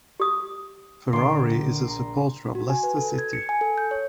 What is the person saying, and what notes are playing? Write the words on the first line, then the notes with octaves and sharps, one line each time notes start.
Ferrari is a supporter of Leicester City.
G4 D#6
A#1 D3 D5 C6 D6
A#5
F#4
G#5
B4
A4
G#6
C#7
G#5
A4
G6
C#5